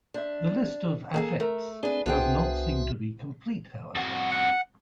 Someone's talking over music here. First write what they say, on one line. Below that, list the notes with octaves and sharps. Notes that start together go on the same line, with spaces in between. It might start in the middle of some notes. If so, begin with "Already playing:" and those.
The list of affects does not seem to be complete, however.
D4 C5 E5
A#3 G#4 A4
A3 A#4
C4 D4 G#4 B4
C2 B3 D4 F#4 G#4 C5 E5 G5
F2 F#4
F#5